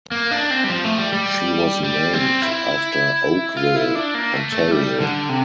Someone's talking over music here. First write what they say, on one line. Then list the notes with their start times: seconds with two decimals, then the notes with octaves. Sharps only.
She was named after Oakville, Ontario.
0.11 A#3
0.31 D4
0.51 C4
0.64 G3
0.70 F3
0.84 A3
0.98 G3
1.13 G3
1.84 G3
2.13 C4
2.42 E4
3.57 F4
3.76 E4
3.95 D4
4.14 A#3
4.33 A3
4.52 A3
4.71 G3
5.01 D3
5.29 C3